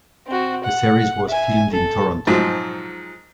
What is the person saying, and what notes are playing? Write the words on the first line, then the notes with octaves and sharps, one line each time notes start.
The series was filmed in Toronto.
C4 F#4
F#5
E5 G#5
A4
G#2 F3 F#3